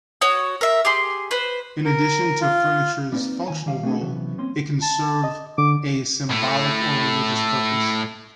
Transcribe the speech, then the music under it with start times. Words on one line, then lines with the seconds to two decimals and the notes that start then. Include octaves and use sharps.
In addition to furniture's functional role, it can serve a symbolic or religious purpose.
0.21 F#4 C#5 D#6
0.61 A#4 E5
0.85 G4 G#4 C6
1.31 B4 C5
1.85 A#4
2.41 F4
3.12 G3 A#3 C4 D#4 B4 D5
3.48 D#3 G#5
3.66 D#3 G3 F5
3.83 A3 B3 C4 D4 G#4 A4
4.01 C3 E3 F#3 B3 C#4
4.38 A#3 C4 C#4 C6
4.82 A5
5.24 D#5
5.58 D3 D6
6.30 A2 A3